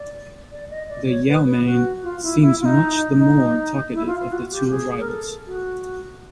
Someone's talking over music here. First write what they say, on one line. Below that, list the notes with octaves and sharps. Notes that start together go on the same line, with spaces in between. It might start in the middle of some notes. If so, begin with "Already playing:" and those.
The Yeoman seems much the more talkative of the two arrivals.
Already playing: D5
D5
D#5
D5
C#5
B4
B4
F#4
F4
E4
E4
F4
D#4
D#4
E4
F4
F4
F#4
G4
G#4
A#4
A4
F#4